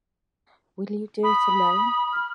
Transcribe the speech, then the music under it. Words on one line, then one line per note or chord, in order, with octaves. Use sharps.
Will you do it alone?
B5 D#6
F6